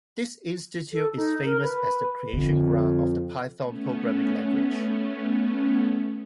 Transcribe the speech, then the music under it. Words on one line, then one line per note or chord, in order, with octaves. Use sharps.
This institute is famous as the creation ground of the Python Programming Language.
A4
D#4
A#4
B4
F2 D3
A3 B3 C#4